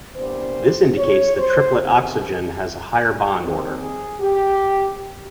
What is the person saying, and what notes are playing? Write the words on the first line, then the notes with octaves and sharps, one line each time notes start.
This indicates that triplet oxygen has a higher bond order.
C2 A#2 G3 B3 D4 C5
C#5
C5
E2 C3 D#3
D#2 D#3 G3 C4
G#4
G4